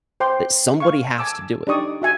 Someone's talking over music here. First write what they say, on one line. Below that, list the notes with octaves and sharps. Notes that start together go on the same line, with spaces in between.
that somebody has to do it.
C5 G5 C6 D6
F5 C#6
G#5 A5 D6 E6
D4 D#4 G4 D5 C#6 D#6
F#4 E5 G#5